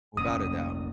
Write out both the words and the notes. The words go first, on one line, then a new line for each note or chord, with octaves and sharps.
Without a doubt.
F1 A#3 C#4 D#6